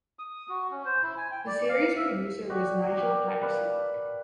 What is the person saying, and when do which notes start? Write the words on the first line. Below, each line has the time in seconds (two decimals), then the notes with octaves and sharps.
The series producer was Nigel Paterson.
0.19 D#6
0.49 F#4
0.71 C#4
0.85 C5
1.03 E4
1.17 G#5
1.31 G5
1.47 D5
1.69 F5
1.96 E5
2.50 F#4 G4 D5
2.97 G4 A#4
3.42 B4 D5 F5 A5